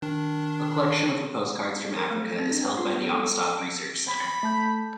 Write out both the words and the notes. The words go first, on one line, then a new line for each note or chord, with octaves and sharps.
A collection of her postcards from Africa is held by the Amistad Research Center.
D#3 D4
A#4
A3
A4
C4
D4
B4
F4
B3
A4
A4
D7
B5
A3 A5 G6